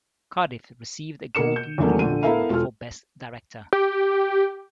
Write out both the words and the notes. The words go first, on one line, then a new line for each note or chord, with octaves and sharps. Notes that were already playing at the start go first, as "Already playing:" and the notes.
Cardiff received a Golden Globe Award for Best Director.
B2 A#3 A#4 C#7 E7
G6
E2 D#3 F#3 A3 A#3 C#4
A#1 D3 D#7
B3 E4 A4 A#4 E5 F5
E1 F4 A4 F6
G4